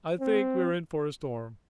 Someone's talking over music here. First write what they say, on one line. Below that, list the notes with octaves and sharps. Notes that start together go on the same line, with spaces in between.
"I think we're in for a storm."
C4